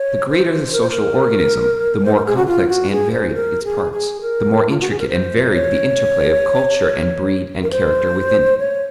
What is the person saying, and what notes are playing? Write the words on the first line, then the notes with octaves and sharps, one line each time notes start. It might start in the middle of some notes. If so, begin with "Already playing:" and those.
The greater the social organism the more complex and varied its parts, the more intricate and varied the interplay of culture and breed and character within it.
Already playing: C#5
C5
A#4
C5
A#4
C5
A#4
G#4
F#4
F4
F#4
G#4
C5
G#4
A#4
G#4
G#4
A#4
F4
F#4
G#4
A#4
C5
C#5
A#4
C5
C#5